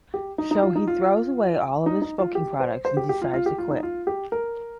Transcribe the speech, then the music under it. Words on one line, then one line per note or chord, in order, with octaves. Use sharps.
So he throws away all of his smoking products and decides to quit.
G4
D#4
D#4
F4
D#4
F4
D#4
D#4
F4
G4
C5
C5
G4
G4
F4
F4
G4
F4
D#4
F4
G4
A#4